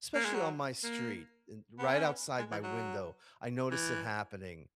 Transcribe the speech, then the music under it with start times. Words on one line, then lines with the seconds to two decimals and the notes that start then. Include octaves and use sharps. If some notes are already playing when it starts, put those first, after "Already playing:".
especially on my street, and right outside my window, I notice it happening-
0.14 A#3
0.25 G#3
0.35 F#3
0.83 A#3
1.79 B3
1.92 C#4
2.04 B3
2.38 G#3
2.51 E3
2.63 F#3
3.71 E3